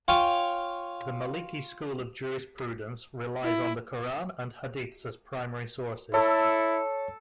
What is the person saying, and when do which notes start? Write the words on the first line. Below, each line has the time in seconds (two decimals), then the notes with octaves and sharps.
The Maliki school of jurisprudence relies on the Quran and hadiths as primary sources.
0.08 F4 C#5 F5 G5 G#5
3.43 E4
6.14 E4 A4 C#5 E6